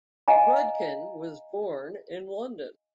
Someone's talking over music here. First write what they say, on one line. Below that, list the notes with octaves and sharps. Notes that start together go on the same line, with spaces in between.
Rudkin was born in London.
D#5 F5 G#5 A#5